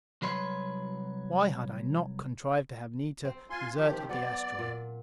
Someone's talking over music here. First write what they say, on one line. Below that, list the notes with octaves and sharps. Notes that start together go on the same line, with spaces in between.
Why had I not contrived to have Anita desert at the asteroid?
C2 F#3 B4 C#5 C6
C4
F4 G#5 C6
D#3 F3 G4
C4
F#3 B3 C4 D5
A#2